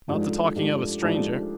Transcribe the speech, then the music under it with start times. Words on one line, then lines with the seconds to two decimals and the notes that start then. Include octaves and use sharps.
Not the talking-over stranger.
0.08 G#2 F3 A3 D4 G4
0.55 G#2 F3 A3 D4 G4
1.01 G#2 F3 A3 D4 G4